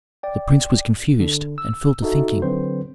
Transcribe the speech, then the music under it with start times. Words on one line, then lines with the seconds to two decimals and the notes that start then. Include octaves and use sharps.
The prince was confused and fell to thinking.
0.23 D5 G5
1.20 D3
1.58 E6
2.02 D#4 F#4 A4 E5
2.42 D3 F#3 C4 B4 C5